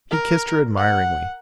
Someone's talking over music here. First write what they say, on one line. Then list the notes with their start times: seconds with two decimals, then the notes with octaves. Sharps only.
He kissed her admiringly.
0.11 A#4
0.77 F#5